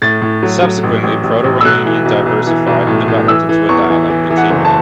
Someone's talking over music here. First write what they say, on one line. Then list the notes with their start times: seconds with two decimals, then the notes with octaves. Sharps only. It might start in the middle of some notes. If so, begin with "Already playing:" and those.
Subsequently Proto-Romanian diversified and developed into a dialect continuum.
0.02 A2 A6
0.22 A2
0.43 F#3
0.63 F#3
0.83 A1
1.03 A1
1.24 A1
1.44 A1
1.61 E6
1.65 B1 F#6
1.85 E3
2.05 B1
2.26 B1
2.47 E3
2.67 B1
2.87 A2
3.08 A2
3.28 E3 E6
3.49 E3
3.69 E2 C#6
3.90 E3
4.10 E3
4.30 E3
4.37 F#5
4.50 F#1
4.65 A5